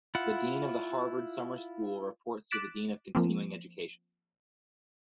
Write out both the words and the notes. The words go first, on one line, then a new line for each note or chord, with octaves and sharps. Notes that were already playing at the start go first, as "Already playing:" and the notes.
The Dean of the Harvard Summer School reports to the Dean of Continuing Education.
E4 F4 F#5
D6 F#6 A6 B6 D7 E7
F3 A#3 C4